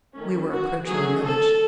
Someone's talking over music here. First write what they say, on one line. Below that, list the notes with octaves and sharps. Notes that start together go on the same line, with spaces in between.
We were approaching a village.
D#3 A3 C#4
F#4
F#3 A3 C#4 G#4
A4